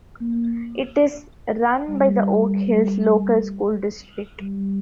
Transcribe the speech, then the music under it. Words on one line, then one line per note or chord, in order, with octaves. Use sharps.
It is run by the Oak Hills Local School District.
A#3
G3
G3